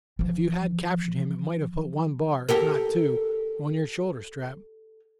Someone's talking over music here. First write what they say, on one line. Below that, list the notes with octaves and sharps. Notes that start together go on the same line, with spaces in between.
"If you had captured him it might have put one bar, if not two, on your shoulder-strap."
E3 F3
G4 A4 A#4